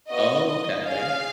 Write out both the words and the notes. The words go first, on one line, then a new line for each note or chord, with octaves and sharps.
Oh, okay.
B3 F#4 D#5
D#5
C#4 G#4 F5